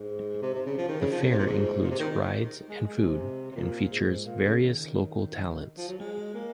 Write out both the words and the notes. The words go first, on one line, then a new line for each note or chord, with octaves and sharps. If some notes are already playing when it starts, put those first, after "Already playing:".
The fair includes rides and food, and features various local talents.
Already playing: G#2
C3
C3
C#3
F3
D#3
C#3
F3
C#3
C3
A#2
G#2
A#2
C3
D#3
G#3
G#3
C3
C3
A#2
G#2
A#2
C#3
D#3
F3
F#3
G#3
A#3